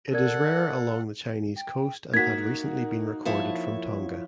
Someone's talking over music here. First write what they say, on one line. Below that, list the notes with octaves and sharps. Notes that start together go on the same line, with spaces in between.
It is rare along the Chinese coast and had recently been recorded from Tonga.
A4 A#4 D5 F#5 G#6
G5
A#3 D#4 F#4 G#6 B6
F3 E4 C#5